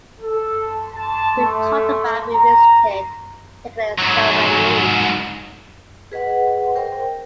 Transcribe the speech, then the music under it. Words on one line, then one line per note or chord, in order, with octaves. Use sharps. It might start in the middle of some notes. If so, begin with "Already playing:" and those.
We talked about revisiting it, taking it somewhere new.
A4
A5
A3
A#5
G#2 F#3
G#4 B4 D#5 F#5
A#4 C5 G5